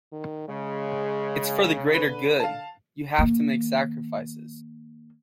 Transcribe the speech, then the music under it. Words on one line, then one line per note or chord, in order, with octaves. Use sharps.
It’s for the greater good, you have to make sacrifices.
D#3
C#3 G#3
D3 B4 G7
F5 A5
D#3 A#3